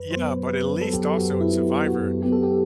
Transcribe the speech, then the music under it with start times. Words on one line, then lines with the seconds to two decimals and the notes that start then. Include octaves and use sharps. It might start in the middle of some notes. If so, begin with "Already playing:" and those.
Yeah, but at least also in survivor,
Already playing: F#2 B4
0.11 F#3 C5
0.16 B3
0.46 F#2 B4
0.81 F#3 B3 A4
0.93 G4
1.04 A4
1.17 F#2 F#4
1.40 E4
1.53 F#3 B3
1.87 F#2 F#4
2.22 F#3 B3 G4
2.32 A4
2.43 G4